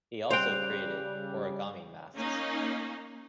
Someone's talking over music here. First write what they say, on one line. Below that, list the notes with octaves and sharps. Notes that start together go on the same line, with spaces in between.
He also created origami masks.
C#3 G3 C5 G5 F#6 G6 F7
A#3 C#4 D#4